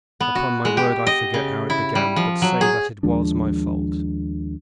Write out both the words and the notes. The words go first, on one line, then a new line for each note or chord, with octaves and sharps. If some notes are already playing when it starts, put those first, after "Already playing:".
Upon my word I forget how it began, but say that it was my fault.
B3
F#4
G#3
G4
D#5
C#3
E4
G3
F3
F#3
G#4
D#2 F3 G#3 D4